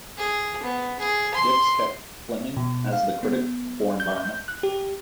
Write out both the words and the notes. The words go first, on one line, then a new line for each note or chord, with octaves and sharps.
Dix kept Fleming as the critic for Environment.
G#4
B3
G#4
C6
B2
F5
B3
G6
F#6
G4